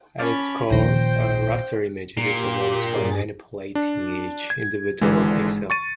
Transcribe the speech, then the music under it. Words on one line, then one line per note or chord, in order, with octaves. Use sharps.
At its core, a raster image editor works by manipulating each individual pixel.
C#4 A5 B5 D6 F6
A#1 D#2 A#2 C5 G5 A#6
A#2 G4
G2 G#4 A6
D4
G#6
G#1 G#2 D3 E3
C#6 A6 D#7